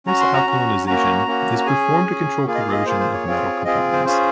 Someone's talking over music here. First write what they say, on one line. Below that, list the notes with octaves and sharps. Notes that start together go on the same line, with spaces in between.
This alkalinization is performed to control corrosion of metal components.
C#4 F#4 A#5
C6
A#5
C#4 F#4
A#3 C#4 F#4 A#5
A#3 C#4 F#4
A#5
C#4 G#4 G#5
C#4 G#4
A#3 F4 G#4
D#5
F5
D#5
A#3 F4 G#4 C5
C5
C#5
C4 F4 G#4
C4 F4 G#4 D#5
C5
C#4 F4 G#4 C5